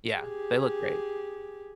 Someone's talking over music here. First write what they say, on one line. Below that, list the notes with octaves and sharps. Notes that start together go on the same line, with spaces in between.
Yeah, they look great.
G4 G#4